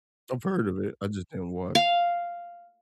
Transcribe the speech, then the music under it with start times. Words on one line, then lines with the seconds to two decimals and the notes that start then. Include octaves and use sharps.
I've heard of it. I just didn't wa
1.75 F5